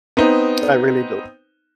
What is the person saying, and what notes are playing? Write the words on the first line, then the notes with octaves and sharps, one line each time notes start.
I really do.
B3 C4 D#4